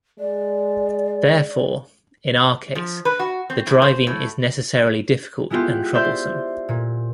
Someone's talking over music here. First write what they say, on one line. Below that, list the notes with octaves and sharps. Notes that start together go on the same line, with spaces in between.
Therefore in our case the driving is necessarily difficult and troublesome.
G#3 D5
F3
B4
F#4
C4
A2
C5
A2
G#3 B3 E4 F4 G4
C5 D5 E5 F5 G6
A#2